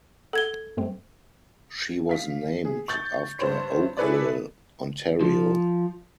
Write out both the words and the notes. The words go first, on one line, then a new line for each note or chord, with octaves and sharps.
She was named after Oakville, Ontario.
A4 F#5 G#6 G7
G2 A3 C4
F5 B6
G#4
C#6 G6 A6
G2 C5 C#5
E4 G#4 A4 B4 C#5 D5
F3